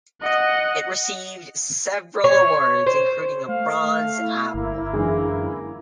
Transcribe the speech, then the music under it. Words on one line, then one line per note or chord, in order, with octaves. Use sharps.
It received several awards, including a Bronze Apple.
D#5 F#5
C#5
C5
A3 F5
E4
G1 A#3
F#2 D3 E3 G#3